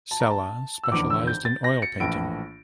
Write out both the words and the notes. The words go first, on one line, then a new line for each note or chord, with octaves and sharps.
Sella specialized in oil painting.
A5
A#5
A5
E6
F1 E2 D3 D6
E6
G6
A6
A#6
C#7
A#1 A2 E3 D7